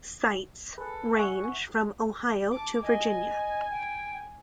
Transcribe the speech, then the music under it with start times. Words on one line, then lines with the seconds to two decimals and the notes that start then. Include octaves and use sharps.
Sites range from Ohio to Virginia.
0.78 G#4 A4 B4
1.14 E5 F#5 G#5 C#6
2.51 A5 D6
2.83 D#5 G#5
3.71 G5